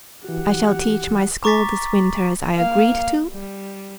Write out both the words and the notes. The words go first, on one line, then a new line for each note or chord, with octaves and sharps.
I shall teach my school this winter as I agreed to.
E3 F#4 G4 F#5
A#5 C#6 D6 A6 B6
A#3 F5
G3